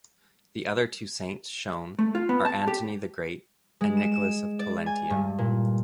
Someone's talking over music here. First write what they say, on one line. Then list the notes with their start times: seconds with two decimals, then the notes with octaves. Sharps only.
The other two saints shown are Antony the Great and Nicholas of Tolentino.
1.99 A3
2.15 F4
2.29 B3
2.45 A5
2.68 G4
3.81 G#3
3.97 E7
4.12 E7
4.59 D5
4.86 G#5
5.10 G2
5.38 A#2